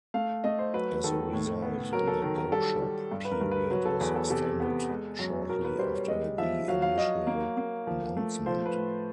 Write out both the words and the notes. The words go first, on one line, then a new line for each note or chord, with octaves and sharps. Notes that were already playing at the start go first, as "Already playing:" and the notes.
As a result, the "go-shop" period was extended shortly after the initial announcement.
A3 F5
A3 D#5
C5
F#3 B4
D#3 A4
A2
B3
F#3 A#4
A4
D#3 A#4
A#4
G3 A4
G3
G2
B4
A#4
G2
B4
F#3 B4
A4
E2 B4
A4
C3 A4
B3
G#3
F#2
B2 A#4
B4
G3 C5
C#5
G#3 D#5
F3 E5
F#3 F5
F5
F#3 D#5
A#3
A#3
F3
A3
F3 C5
B4
A2